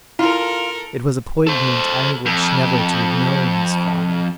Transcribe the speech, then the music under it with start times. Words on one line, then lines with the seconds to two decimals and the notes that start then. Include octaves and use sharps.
It was a poignant anguish never to have known his father.
0.19 E4 F4 A4 A#4
1.47 A4 C5
2.26 F2